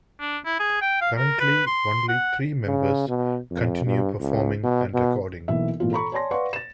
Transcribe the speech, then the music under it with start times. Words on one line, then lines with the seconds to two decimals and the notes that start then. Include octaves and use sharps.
Currently, only three members continue performing and recording.
0.20 D4
0.45 E4
0.60 G#4
0.81 G5
1.01 F5
1.16 A#4
1.40 B4
1.66 C6
2.08 F#5
2.66 C#3
3.08 B2
3.51 F2
3.86 G2
4.20 C#2
4.63 B2
4.94 B2
5.48 B1 E3 A#3 E5
5.80 G#1 A#2 E3 F4
5.91 A4 A#5 B5 C#6
6.12 C#5 D5 G#5 A5 C6 A#6
6.31 B4 D5 F5 F#5 C6 C#6
6.53 A6 E7